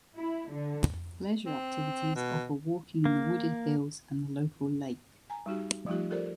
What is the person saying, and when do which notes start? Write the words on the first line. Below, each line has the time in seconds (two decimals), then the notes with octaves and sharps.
Leisure activities offer walking in the wooded hills and the local lake.
0.16 E4
0.51 D3
1.46 C4
2.16 B2
3.05 A#3
5.30 G#5 A#5
5.46 G3 D#4 F#4 G4
5.86 F3 G3 A3 D#4 F4 G4
6.10 F4 G4 A4 A#4 C5 D5